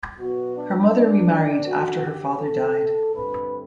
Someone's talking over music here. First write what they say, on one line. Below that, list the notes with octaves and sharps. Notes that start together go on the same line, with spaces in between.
Her mother remarried after her father died.
B2 F#3 B3 F#4
D4
D4
F#2 D3 A3 F#4
G4
A4
G2 D3 A3 C4 B4